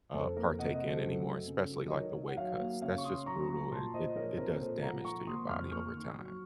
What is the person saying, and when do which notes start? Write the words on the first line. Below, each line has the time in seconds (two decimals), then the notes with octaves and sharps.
uh, partake in anymore, especially, like, the weight cuts, that's just brutal, and it it does damage to your body over time.
0.14 F2 A4 C5
0.37 A#3 A#4
0.59 C3 D#5 F#5
0.74 D#5 F#5
0.81 F#3
0.88 A4 C5
1.03 F#2
1.26 A3
1.48 C#3
1.70 F#3
1.88 D#5
1.93 D#3 A#4 C#5
2.14 D#3
2.28 F#5
2.37 F#3 C#5 F5
2.59 A#3
2.82 C#3 C#5 F5
2.98 C#6
3.04 C#4 C6 D#6
3.26 F#3 A#5 C#6
3.48 A#3
3.71 A#2 A5 C6
3.94 A#2 C5 D#5
4.15 F3 A#4 C#5
4.37 C4 A#4
4.60 A#2 A4 C5
4.82 F4 F#5 A#5
5.04 F3 A#5 C#6
5.27 A#3 C6 D#6
5.49 F2 C#6 F6
5.71 A#3 C#6 F6
5.93 D#3
6.16 F#3